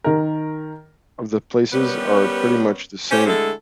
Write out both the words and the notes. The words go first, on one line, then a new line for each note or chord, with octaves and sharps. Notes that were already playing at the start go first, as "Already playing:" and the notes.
of the places are pretty much the same
D#3 A#4
G3 B3 C#4 G4 A#4 B4
C#4 G4 C5
D3 G#3 A3 E4 A4